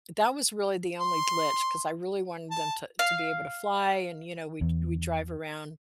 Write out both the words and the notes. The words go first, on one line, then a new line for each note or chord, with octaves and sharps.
that was really the only glitch 'cause I really wanted them t to be able to fly and, you know, we d we drive around
C6
A5
F5
E2